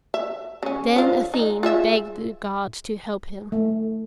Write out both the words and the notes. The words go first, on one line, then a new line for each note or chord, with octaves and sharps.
Then Athene begged the gods to help him.
E5
C#3 C#4
D3 F4 C5
D#4
F4 G#4 E5
A3